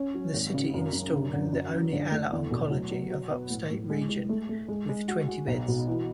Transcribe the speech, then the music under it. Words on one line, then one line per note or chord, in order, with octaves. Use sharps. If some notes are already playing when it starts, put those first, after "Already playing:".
The city installed the only Ala Oncology of upstate region, with twenty beds.
Already playing: C#4
F#3
G#1
C#3
F#2
F#2
D3
D3
F#2
E3
D3
A3
E2
B2
F#3
F#3
F#4
B3
A2
A2
G#3
G#3
A3
A3
G#3
G#3
F#4
F#4
B1
B2
E3